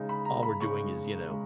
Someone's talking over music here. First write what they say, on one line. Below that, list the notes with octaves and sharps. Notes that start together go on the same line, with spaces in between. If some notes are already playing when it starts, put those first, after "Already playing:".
All we're doing is, you know,
Already playing: C#3 G#3 D#4
B5
A#5
B5
C#3 G#3 D#4 C#6
C#3 G#3